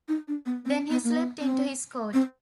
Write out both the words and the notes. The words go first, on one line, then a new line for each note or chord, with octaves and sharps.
Then he slipped into his coat.
D#4
D4
B3
C4
B3
A#3
B3
C4
C4